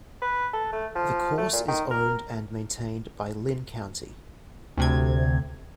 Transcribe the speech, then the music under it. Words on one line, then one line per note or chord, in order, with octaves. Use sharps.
The course is owned and maintained by Linn County.
B4
A4
A3
F3
A3
A#2
D#3
A#4
D2 C3 G#6